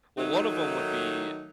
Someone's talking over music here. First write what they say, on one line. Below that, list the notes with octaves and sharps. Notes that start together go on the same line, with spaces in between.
Well, one of 'em would be,
D#3 F#3 A3 D#4